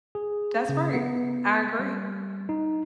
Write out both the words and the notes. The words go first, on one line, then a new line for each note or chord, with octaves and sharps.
That's right. I agree.
G#4
C#3
B3
G3
D#4